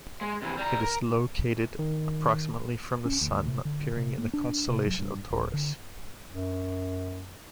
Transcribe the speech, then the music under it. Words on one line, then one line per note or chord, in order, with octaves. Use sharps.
It is located approximately from the Sun, appearing in the constellation of Taurus.
G#3
C3 E3
G3 A#5
A#4
D#3
C#4
D2
C3
D3
C3
A#3
D4
C3
F#3
G2
D#1
D3
F#2